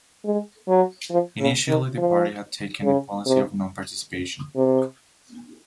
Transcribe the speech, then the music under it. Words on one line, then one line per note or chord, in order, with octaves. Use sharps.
Initially the party had taken the policy of non-participation.
G#3
F#3
F3
C#3
D#3
F3
C#3
C3
C3